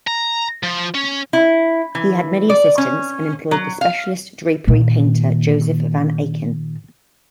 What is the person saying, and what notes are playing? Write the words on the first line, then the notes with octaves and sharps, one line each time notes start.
He had many assistants, and employed the specialist drapery painter Joseph van Aken.
A#5
F3
C#4
E4
E3
D5
C#4
F#3
F5
A#2 D#3